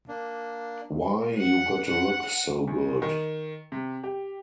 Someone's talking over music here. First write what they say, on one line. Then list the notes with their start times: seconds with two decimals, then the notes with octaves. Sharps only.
Why You Gotta Look So Good?
0.08 A#3 D4
1.38 F#5
1.85 F#5
2.68 E2
3.02 D#3
3.72 C3
4.04 G4